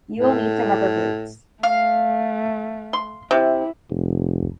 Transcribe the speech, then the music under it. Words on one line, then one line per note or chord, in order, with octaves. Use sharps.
You will need some rubber boots.
A2
A3 F5
C6
C3 E4
F1